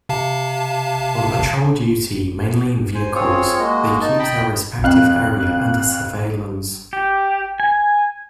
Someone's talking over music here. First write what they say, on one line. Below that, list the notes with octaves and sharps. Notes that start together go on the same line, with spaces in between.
On patrol duty, mainly in vehicles, they keep their respective area under surveillance.
C3 F5 A5
C5 G#5
C4 F4 G#4 C#5
G#3 A#3 F#4 D#5
D#4 A5
D#5 G5 B5
F2 F5 F#6
G4
G#5